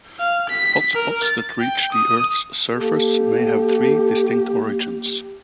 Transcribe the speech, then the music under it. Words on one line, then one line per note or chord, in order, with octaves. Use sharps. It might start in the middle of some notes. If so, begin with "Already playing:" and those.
Hotspots that reach the Earth's surface may have three distinct origins.
F5
B6
A#4
A6
G5
D#6
A#3 G4 A4